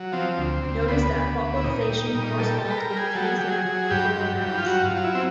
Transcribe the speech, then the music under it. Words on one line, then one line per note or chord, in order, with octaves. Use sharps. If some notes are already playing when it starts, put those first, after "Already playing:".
Notice that faucalization corresponds with the case and with plural nouns.
Already playing: F#3
F3 C4
D2
D2
D2 B3
D2
D2
E4
A#2 D#4
G3
A#2
G3 A4
A4
G3
B4
A#4
G3
G#4
F#3 A4
G#4
F#3 G4
G#4
F#3
G2 G4
F#3
G2
F4
F#3 F#4
F4
F#3
F4
E4
C4